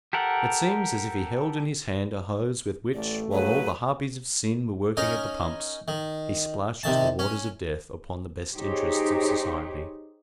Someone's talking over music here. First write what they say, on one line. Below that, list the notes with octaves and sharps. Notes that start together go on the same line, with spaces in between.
It seems as if he held in his hand a hose with which, while all the harpies of sin were working at the pumps, he splashed the waters of death upon the best interests of society.
G4 A4 A#4 F#5
A1 A3 D5
C#3 F#3 B4
C#4 D#4 A#4
D#3
C3 D#3 A5
C#4
D#4 G4 G#4 C5 C#5